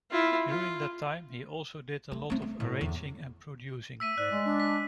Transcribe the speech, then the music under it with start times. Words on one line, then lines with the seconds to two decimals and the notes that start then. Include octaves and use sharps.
During that time he also did a lot of arranging and producing.
0.11 E4 F4
0.49 F4
2.12 A3
2.30 A3 C4
2.42 A3
2.60 A2
2.81 E2
4.00 A3 E6 B6 D#7
4.18 G#2 D5 F#6
4.31 G#3
4.45 D4
4.60 B6